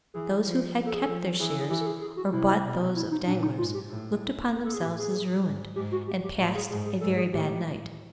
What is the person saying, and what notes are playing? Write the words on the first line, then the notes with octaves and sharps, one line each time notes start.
Those who had kept their shares, or bought those of Danglars, looked upon themselves as ruined, and passed a very bad night.
E3 G#4
F3
A4
G#4
A4
F3
E3 G#4
A4
G#4
E3 G4
A4
G#4
G#4
F#4
C3 E4
B2
E4
D#4
A#2 D4
D#4
G#2 F4
G4
A2
A4
G#4
A2 G4
G#4
G#2
G#2 G4
F#4
G4
G4
A2 F#4
G#4
G#2 G#4
G#4
G#2 A4
G#4
A2 G4